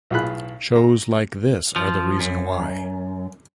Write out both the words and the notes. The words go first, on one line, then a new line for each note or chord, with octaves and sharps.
Shows like this are the reason why.
B1 A2 F4 G#4 B5 F#6
A#5
F3
F#2